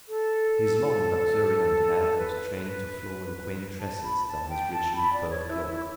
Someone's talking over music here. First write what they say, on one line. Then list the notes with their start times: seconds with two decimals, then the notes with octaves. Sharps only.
His long luxuriant hair was trained to flow in quaint tresses down his richly furred cloak.
0.09 A4
2.18 B4
3.80 A5
4.03 B5
4.27 A5
4.49 G5
4.73 A5
4.96 B5
5.13 D5
5.30 C#5
5.48 E4
5.66 E4